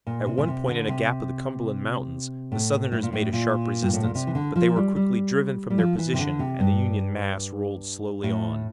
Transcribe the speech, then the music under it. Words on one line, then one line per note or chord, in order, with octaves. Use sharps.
At one point in a gap of the Cumberland Mountains the Southerners made a sharp resistance, but they were quickly driven from their position and the Union mass rolled slowly on.
A#2
C3
A#2
C3
D3
C3
A2
A2
A#2
A2
A#2
G2
A2
A#2
C3
E3
D3
F3
G3
G3
G3
F3
E3
C3
D3
C3
G2
A2